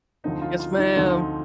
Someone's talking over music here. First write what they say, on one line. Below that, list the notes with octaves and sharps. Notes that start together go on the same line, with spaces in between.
Yes, ma'am.
D2 D3 F3 A3 C4 D#4
F4
F4
D#4
D2 D3 F3 A3 C4 D#4